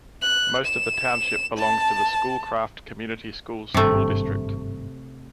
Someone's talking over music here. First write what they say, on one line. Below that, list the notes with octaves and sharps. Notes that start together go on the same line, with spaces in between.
Most of the township belongs to the Schoolcraft Community Schools school district.
F#6
E7
A5
G#1 G2 C3 A3